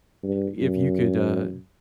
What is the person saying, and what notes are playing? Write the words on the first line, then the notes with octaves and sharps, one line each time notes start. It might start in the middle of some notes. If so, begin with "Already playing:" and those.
if you could, uh,
G2
F#2